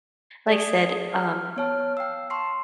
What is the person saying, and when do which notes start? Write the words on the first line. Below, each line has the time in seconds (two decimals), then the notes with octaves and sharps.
like said, um,
0.47 G#4 D5
1.13 F6
1.56 B3 C#5 A5 F6
1.97 F5 G5 E6
2.30 A5 C6 C#6 C7